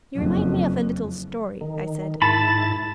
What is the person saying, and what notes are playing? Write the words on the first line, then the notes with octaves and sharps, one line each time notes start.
"You remind me of a little story," I said.
F#1 F2
D#3
G#2 E4 A5 B5 A6